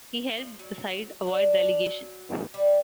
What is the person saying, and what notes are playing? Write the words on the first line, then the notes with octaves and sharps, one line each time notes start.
He helped the side avoid relegation.
F3
F#3
D4
F#3
G3